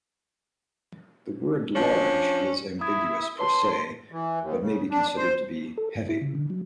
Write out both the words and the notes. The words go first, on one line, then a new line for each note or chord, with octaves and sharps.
The word "large" is ambiguous per se, but may be considered to be "heavy".
F3 C#4 D4
E4 D#6 G#6
B4 C#5 A5 C6
E3
D#2
C#3
D4
C5
A4
G#2
E4
C#3
D3
F#3